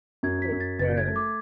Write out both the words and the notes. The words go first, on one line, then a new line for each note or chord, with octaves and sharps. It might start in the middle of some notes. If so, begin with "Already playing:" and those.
Oh, man.
F#2 G#6
B6
F#2
A6
F#1 A6
G#6
A3
D6